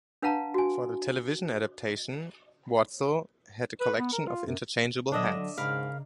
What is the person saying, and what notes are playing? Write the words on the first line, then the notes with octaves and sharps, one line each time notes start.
For the Television adaption, Worzel had a collection of interchangeable heads.
D4 B4 F5 F#5 A5 A#5
F#4 G#5
B4
B3
A#4
F4
F#2
D3 F#3 D4 D#5 E5
G#2 C#3 A#4 F5 B5